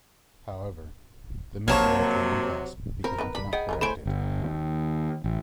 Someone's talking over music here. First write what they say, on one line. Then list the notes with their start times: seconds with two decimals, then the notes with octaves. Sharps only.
However, the myth led to an impasse because we cannot correct it.
1.68 A#1 C3 F#3 A#3 C#5 A5 C#6
3.04 C4 A#4 B4
3.18 B3 D#4 B4
3.35 D4 B5
3.53 G#4 D#5 F#5 G5
3.69 F4 A4 A#4
3.81 E3 A3 B3 C#4 C5 G#5 B5 D7
4.06 G1
4.42 D#2
5.24 A1